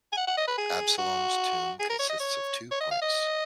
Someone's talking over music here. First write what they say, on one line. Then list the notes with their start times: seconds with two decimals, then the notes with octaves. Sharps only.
Absalom's tomb consists of two parts.
0.13 G#5
0.17 F#5
0.27 F#5
0.37 D#5
0.47 B4
0.58 G#4
0.98 F#4
1.80 G#4
1.90 A#4
1.99 C#5
2.10 D#5
2.20 C#5
2.71 C#5
2.81 D#5
2.91 F5
3.02 D#5